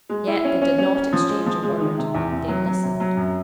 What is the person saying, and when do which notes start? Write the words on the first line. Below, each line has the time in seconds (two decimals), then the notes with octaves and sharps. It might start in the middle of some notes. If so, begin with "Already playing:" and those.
Yet they did not exchange a word; they listened.
0.09 G#3
0.27 E4
0.45 C#4
0.62 C#4
0.78 C#4
0.95 C#4
1.13 F3
1.29 G#3
1.46 F3
1.63 G#3
1.81 D#3
1.98 C3
2.14 E2
2.31 C3
2.48 F#3
2.66 F#3
2.83 C3
3.00 F#3
3.17 F#2